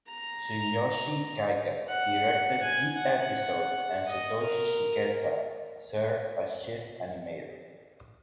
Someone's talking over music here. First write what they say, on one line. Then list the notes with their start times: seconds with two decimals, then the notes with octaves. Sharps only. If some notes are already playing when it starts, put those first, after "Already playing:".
Tsuyoshi Kaga directed the episode and Satoshi Shigeta served as chief animator.
0.09 A#5
1.89 F#5
2.62 G#5
2.98 F#5
4.07 D#5
4.44 A#4